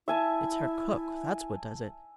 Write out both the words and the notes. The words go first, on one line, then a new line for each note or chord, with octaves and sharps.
It's her cook, that's what does it.
E4 E5 G#5 A5